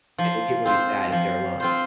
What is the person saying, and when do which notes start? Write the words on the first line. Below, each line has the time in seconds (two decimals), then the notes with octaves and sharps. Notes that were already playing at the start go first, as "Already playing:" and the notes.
Yeah, they get really sad if they're alone,
0.18 F3
0.66 C4 F4 C5
1.12 F3
1.60 C4 F4 C5